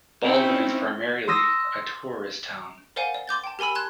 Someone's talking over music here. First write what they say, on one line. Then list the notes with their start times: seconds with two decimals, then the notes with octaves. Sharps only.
Baldwin is primarily a tourist town.
0.24 C4 C#4 D#4 E4
1.27 C6 D#6 E6 A#6
2.96 A#4 C5 D5 F5 F#5 G#5
3.14 D5
3.27 C6 D6 G6 A6
3.44 G5 A5
3.59 G4 A#4 G#5 B5 E6
3.75 A5 C6 F#6 G#6